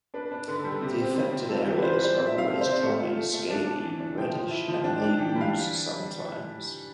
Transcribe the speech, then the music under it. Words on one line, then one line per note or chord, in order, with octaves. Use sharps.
The affected areas are always dry, scaly, reddish and may ooze sometimes.
D4 B4
B4
D4
D3 B4
A4
G3
A4
C3 G4
C4
C3
C3
F4 A4
G4
E3
A4
B4
F4 C5
B4
G3
C5
C4 D5
E5
C4
F5
C3 A4
C3 C5
D5
A3 E5
F4
A3
A3
D4
D4
E3
D4
F3 G5
F3
E4
F3
D4 G5
D4 A5
E3 G5
G5
G3
F5